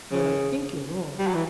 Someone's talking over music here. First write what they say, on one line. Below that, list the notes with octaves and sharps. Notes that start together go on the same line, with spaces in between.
But I think you're wrong.
C#3
G3
F#3
E3